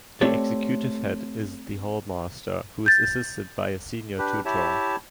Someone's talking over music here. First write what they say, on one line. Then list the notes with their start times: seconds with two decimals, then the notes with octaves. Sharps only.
The executive head is the hall master, who is assisted by a senior tutor.
0.21 A3 C4 G4 A4 C#5 D5
2.86 G6 A6
4.18 D4 G4 B4
4.45 E4 G4 C#5 E5 A5